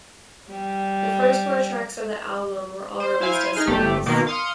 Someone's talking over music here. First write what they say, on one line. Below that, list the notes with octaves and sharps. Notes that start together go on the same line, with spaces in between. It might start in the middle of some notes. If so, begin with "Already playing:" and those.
The first four tracks of the album were all released as singles.
G3
C5
E4 C5 F5 G#5
D#4 G#4 F6
G1 A3 G4
B2 D#3 A#3
F5 C6 D#6 F6 C#7 D#7